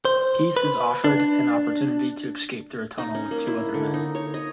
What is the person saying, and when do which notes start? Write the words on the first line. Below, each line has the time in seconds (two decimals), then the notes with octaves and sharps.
Pease is offered an opportunity to escape through a tunnel with two other men.
0.05 C5
0.57 B4
1.04 D4
2.98 D#4
3.15 C#4
3.31 A#3
3.47 E4
3.74 D3
3.94 D#4
4.15 C#5
4.34 D#5